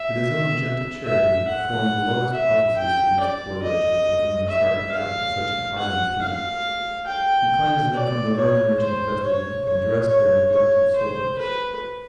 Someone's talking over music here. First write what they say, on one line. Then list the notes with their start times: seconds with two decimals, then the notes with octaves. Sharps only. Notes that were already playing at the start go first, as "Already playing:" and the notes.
With his own gentle charity he performed the lowest offices for these poor wretches to whom his heart went out with such an ardent pity; he cleansed them from the vermin which infested them and dressed their neglected sores.
Already playing: E5
1.04 E5
1.48 F#5
2.34 E5
2.77 G5
3.20 D5
3.63 D#5
4.49 E5
4.92 F5
5.78 F#5
6.21 F5
7.07 G5
7.94 D5
8.36 C#5
8.80 C5
9.23 C#5
9.65 C#5
10.09 C#5
10.52 C#5
10.95 C5
11.38 B4